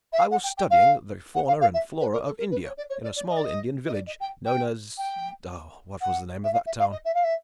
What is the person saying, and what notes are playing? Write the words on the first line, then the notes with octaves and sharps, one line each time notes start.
I was studying the fauna and flora of India, in a small Indian village, known as ah--what was the name of that town!
E5
F5
F#5
G5
G5
F5
F#5
F5
F5
E5
B4
A#4
A4
A#4
B4
C#5
D5
C#5
D5
D5
D#5
D5
D#5
D#5
D5
D#5
G5
G5
G5
F#5
E5
F5
E5
F5
D#5
E5
F5
E5